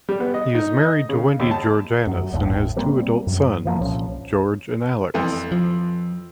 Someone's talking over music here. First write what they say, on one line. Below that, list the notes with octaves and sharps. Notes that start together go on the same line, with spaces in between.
He is married to Wendy Georganas, and has two adult sons; George and Alex.
G3
B3
D#5
D#4
D#5
C#3
D#2
A5
F#2
G1 D#2 A2
G3 A#3 C4
F#2
E3 F3 A#3
C2 A#2 F3 C#4
F2 E3 A3
F3